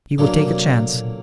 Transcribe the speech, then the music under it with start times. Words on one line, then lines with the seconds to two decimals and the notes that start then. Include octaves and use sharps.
We will take a chance.
0.18 A2 D3 F#3 A#3
0.45 C3
0.72 B2
0.93 B2
0.99 A#2